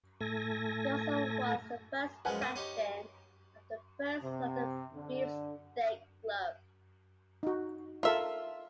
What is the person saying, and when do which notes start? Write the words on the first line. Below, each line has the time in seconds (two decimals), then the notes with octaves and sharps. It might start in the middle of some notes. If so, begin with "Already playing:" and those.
He also was the first president of the first London Beefsteak Club.
0.21 A2 A3 A4 G#5 A#6
2.25 F#2 F3 G#3 B4 F#5 G#5
2.42 A#3 D#7
2.56 D#4 G4 C#5
4.23 C3
4.94 D3
7.43 D#4 F#4
8.03 F4 A4 A#4 E5 F5